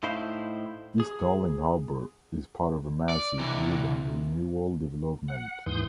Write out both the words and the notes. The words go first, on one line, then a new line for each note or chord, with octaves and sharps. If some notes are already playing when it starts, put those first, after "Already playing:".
East Darling Harbour is part of a massive urban renewal development.
A2 D#4 E4 C5 F5 C6
G#4
D5
C3 E3
F#5
D#2 G#2 E3 C6 D#6 G6